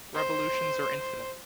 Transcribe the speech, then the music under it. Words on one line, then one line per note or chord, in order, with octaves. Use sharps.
Revolutions are infinite.
C5